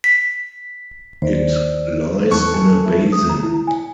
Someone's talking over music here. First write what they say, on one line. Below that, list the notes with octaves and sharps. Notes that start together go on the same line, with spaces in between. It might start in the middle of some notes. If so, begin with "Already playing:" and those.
It lies in a basin.
B6
D#2 C5 D5
E2 D#4 A4 C#6 F#6
G#5 C#7
E4
D#6
A#5
E4
G#5